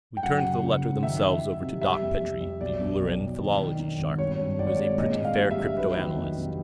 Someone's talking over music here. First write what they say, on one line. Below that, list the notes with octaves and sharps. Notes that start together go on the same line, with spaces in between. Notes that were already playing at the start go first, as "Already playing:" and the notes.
We turned the letters themselves over to Doc Petrie, the Ulleran philology sharp, who is a pretty fair cryptanalyst.
G5
F#2 F#5
C#3
C#3
F#2
D#3 E5
D#3
D#3
C3
G3 E5
F2
F2
F2
B1 D5
B1
B1
B1
D#3
D#3
D#3
G#1
G2 C#5
G2
G#1 D5
C#5
G#3 D5
A#2 D#5
A#2
F5
G3
E5
A#1
F#3 B4
D#3
F2
C3